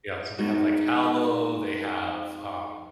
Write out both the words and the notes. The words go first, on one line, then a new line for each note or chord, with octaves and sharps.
yeah, so they have, like, aloe, they have, um,
G#3 B3 D#4 F#4 G#4